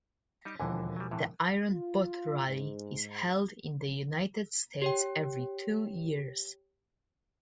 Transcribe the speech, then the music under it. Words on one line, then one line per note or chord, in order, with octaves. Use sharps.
The Iron Butt Rally is held in the United States every two years.
G3 D#4 G4
E1 D#2 D3 E3 F3 G#5
F#3 G3
A2 C3 E3
F4
G#2
G4 C#5 G5